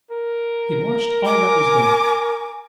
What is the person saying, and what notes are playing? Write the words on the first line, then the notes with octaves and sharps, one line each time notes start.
He watched all that was done.
A#4
G#5 D6